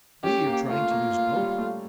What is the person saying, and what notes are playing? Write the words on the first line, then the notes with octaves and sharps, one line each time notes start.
We are trying to use both.
C#4 G4
A#3
A3 F4
A#3
A#3
G3
A3